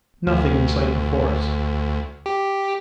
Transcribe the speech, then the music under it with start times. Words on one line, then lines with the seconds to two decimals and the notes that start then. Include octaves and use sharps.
Nothing in sight before us.
0.27 D2
2.26 G4